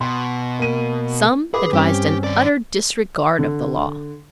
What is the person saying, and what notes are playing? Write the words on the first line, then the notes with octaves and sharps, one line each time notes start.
Some advised an utter disregard of the law.
B2 C6
A#3 D#7
G#4 B4 D6
G2 C4 C#4 G4
D#3 D5
D3